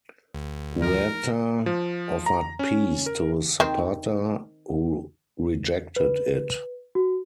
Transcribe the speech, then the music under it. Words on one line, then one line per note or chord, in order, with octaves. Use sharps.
Huerta offered peace to Zapata, who rejected it.
D2
F3 A#4
F3
A#5
C#4
A#4
D#3 C4
B4
F#4